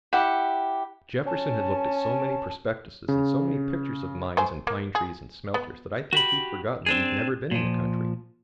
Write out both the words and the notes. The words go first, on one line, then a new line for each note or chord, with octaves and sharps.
Jefferson had looked at so many prospectuses and so many pictures of mines and pine trees and smelters, that I think he'd forgotten that he'd never been in the country.
E4 G4 F#5
C#4 A5
C#3
A3 C5 G#5
A#3
G#4
B3
F#4 G4 B5
C4 D4 G#4
A#2 F3